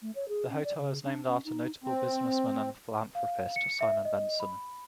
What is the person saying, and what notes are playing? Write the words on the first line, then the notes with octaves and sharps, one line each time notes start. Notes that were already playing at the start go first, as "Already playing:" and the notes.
The hotel is named after notable businessman and philanthropist Simon Benson.
A3
C#5
G#4
C#4
D5
C#3
D4
C#4
D#4
C4
F5
C#7
E5
D#5
B5